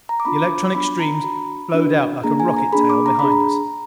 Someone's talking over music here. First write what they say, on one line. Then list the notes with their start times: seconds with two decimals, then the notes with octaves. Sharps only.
The electronic streams flowed out like a rocket tail behind us.
0.09 A#5
0.20 D6
0.25 B3 D4 F4 B5
0.42 D6
0.51 B5
0.59 D6
0.75 B3 D4 F4 B5
0.89 B5
1.00 A#5
1.15 A#5
1.24 D4 F#4 B5
1.74 D4 F#4
2.24 A#3 D4 G#4 A#5
2.40 G#5
2.57 A#5
2.73 A#3 D4 G#4 B5
2.90 D6
3.06 A#5
3.19 D4 G#4 B5
3.32 A#5